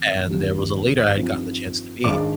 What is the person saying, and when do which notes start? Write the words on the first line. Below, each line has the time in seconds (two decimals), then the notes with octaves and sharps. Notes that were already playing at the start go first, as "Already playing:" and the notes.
and there was a leader I had gotten the chance to meet,
Already playing: F2 D#3
0.28 F1 D#2 D#3 G3
1.16 G2 F3 C4 D#4
2.04 G#2 D#3 G#3 D4 D5 D6